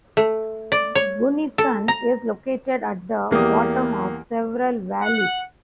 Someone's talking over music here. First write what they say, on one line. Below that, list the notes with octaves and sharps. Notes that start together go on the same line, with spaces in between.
Gunnison is located at the bottom of several valleys.
A3
D5
C#5
A4
A#5
E2 A#3 G4 D#6
F#5